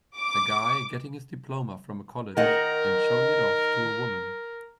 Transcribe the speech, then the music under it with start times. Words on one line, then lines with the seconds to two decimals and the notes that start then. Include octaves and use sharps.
A guy getting his diploma from a college and showing it off to a woman.
0.18 D6
2.37 D#3 A#4 D#5 F#5